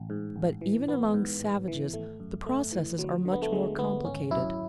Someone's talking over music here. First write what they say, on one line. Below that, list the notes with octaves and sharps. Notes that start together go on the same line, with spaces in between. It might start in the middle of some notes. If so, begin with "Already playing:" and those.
But even among savages the processes are much more complicated.
Already playing: A1
G#2
A1
E3
A1 B3
G#2
A1
E3
G#1 A3
F#2
G#1 A3
E3
D2 F#3
D3
B3
A3
D3 G#3
D2 B3
G#1 C#4
F#2 E4